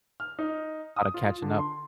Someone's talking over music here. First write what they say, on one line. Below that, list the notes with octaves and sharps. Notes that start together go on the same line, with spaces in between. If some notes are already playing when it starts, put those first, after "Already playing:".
Lotta catching up.
F6
D#4
D#6
F4
D3
C6